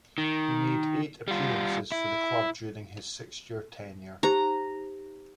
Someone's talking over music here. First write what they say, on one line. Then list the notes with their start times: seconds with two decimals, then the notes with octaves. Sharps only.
He made eight appearances for the club during his six-year tenure.
0.18 D#3
1.28 G3 F4
1.92 E4
4.23 D#4 G4 C5 A#5